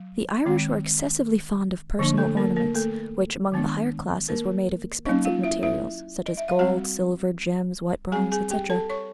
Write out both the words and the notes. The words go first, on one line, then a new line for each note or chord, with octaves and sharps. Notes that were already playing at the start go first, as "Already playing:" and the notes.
The Irish were excessively fond of personal ornaments, which among the higher classes were made of expensive materials, such as gold, silver, gems, white bronze, etc.
Already playing: F#3
D#3 G#3 C4
D3 F3 A#3 D4
A3 A4
A#3 A#4
A#3 A#4
A3 A4
D#3 G#3 B3 D4
A#3 A#4
F#3 A#3 C#4 D#4 D#5
F4 F5
E4 E5
E4 E5
D#5
E5
F5
G3 C4 F#4 F#5
G3 C4 G#4 G#5
G#4 G#5
G4 G5
A4 A5
C#5 C#6